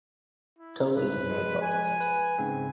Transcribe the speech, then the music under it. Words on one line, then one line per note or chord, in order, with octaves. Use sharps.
Totally family focused.
E4
C2 G#2 B4
F3 G#3
G#5
B4
G#2 C#3 C4